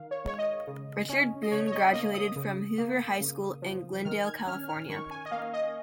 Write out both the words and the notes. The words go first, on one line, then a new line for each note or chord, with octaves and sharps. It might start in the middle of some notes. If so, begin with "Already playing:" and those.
Richard Boone graduated from Hoover High School in Glendale, California.
Already playing: D#3 F5
C#5
G#3 C#5
D#5
C#3
C#4
D#5
C#3 C#5
C#5
D#5
A#3 D#5
D#6
C#3
A#3
C#3
F3
D#3 F6
G#6
C#4 F6
F6
D#3 C#6
G#5
D#5
A#3 F5
D#5